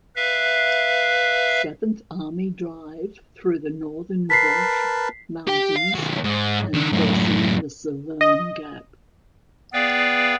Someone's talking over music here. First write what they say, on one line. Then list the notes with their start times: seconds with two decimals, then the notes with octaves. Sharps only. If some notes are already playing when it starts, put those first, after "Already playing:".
Seventh Army drive through the northern Vosges Mountains and forcing the Saverne Gap.
0.16 B4 E5 F5
4.30 A#4 B4 A5 B6 C7
5.48 G4 G5
5.76 F5
5.95 D#3 F#3
6.24 G#2
6.74 D#3 D4
6.92 F#2 A2
8.21 D#5
9.73 B3 G#4 B4 D5 F5 G5